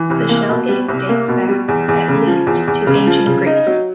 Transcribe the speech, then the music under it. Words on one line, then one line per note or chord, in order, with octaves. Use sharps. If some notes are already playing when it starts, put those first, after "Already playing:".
The shell game dates back at least to Ancient Greece.
Already playing: E3
C2
A#3
B2
G3
C2
A#3
B2
G3
E2
E2
C#3
F3
E2
E2
C#3
F3
C#3
D#4
F#3